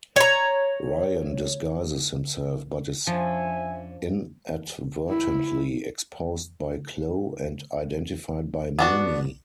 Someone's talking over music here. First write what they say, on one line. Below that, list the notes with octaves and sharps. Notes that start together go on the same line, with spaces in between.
Ryan disguises himself, but is inadvertently exposed by Chloe and identified by Mooney.
C#5 A#5
F2 F3 C#4 D4 E5 G#5
E4
B3 D4 F#4